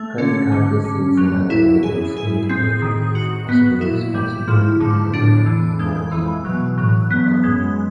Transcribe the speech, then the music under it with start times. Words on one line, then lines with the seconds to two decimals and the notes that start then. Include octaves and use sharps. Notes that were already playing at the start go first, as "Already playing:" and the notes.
Credit card receipts and other evidence indicated his possible responsibility for the Ohio murders.
Already playing: A3
0.18 D3 C#4
0.51 G#2 D3
0.84 D3
1.17 F#2 F#3
1.50 F2 E4
1.83 F#2 G#4
2.16 G#2 G#4
2.49 A2 C4
2.82 D#3
3.15 F#4
3.49 B3
3.81 A#2 E4
4.14 G3
4.47 G#2 F3
4.80 G#2 D3
5.13 A2 D4
5.46 E3
5.79 F2 G#3
6.12 F2 E3
6.45 B2 F#3
6.78 A2 F#3
7.11 G2 B3
7.43 F#2 G#3